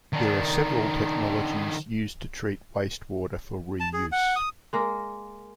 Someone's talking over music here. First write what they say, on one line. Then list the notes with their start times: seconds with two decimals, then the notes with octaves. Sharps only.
There are several technologies used to treat wastewater for reuse.
0.13 D#3 D4
3.80 A5
3.93 G#4
4.12 F#5
4.36 D#6
4.73 G#3 A#3 A#4